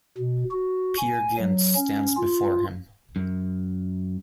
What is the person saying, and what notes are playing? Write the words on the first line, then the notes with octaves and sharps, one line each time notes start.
Peer Gynt stands before him.
B2
F#4
G#5
F#3
C#4
F4
F#2